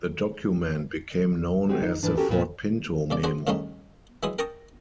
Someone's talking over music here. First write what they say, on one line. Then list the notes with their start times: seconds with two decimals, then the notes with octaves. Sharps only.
The document became known as the "Ford Pinto Memo".
1.69 G#3 C4 F#4 G4
1.82 D#4
2.03 A2 E3 D4
2.17 C#4 F#4 G4 A4 A#4
2.29 F2 A#2 B3
3.10 C2 C#3 D5
3.23 D4 F#4 G#4 C5
3.47 D#2 C#3 G3 A3 C#4 D#4
4.23 E3 F#3 G#3 E4 D#6
4.39 A#4 G5 A5 A#5 C#6 D#6